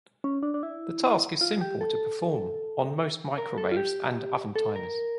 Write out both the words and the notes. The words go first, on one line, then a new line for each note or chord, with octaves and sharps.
The task is simple to perform on most microwaves and oven timers.
C#4
D4
D4
E4
F4
G4
A4
A#4
A4
F4
G4
A4
A#4